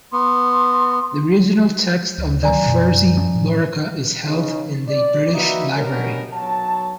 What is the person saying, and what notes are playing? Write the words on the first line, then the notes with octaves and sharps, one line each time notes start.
The original text of the Fursey Lorica is held in the British Library.
B3 C6
D2
D#3 F#3 D5 G#5 A#5
F#2 B2
F3 C#4
A2
C#3 D#4
D5
A#3 D#4 F#4 B4 E5
B2 B3 C#4 D4 G4 A#4
B1 F#3 C#5 A5